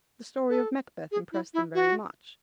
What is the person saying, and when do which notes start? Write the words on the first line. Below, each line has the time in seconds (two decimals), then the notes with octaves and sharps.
The story of Macbeth impressed them very much.
0.49 A4
1.11 G#4
1.32 E4
1.54 E4
1.75 F#4